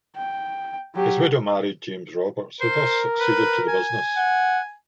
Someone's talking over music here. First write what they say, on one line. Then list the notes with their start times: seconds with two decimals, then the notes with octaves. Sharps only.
His widow married James Roberts, who thus succeeded to the business.
0.16 G5
0.95 F#3 G4
2.61 A#4 C5
3.20 B4
3.68 G#5
4.17 F#5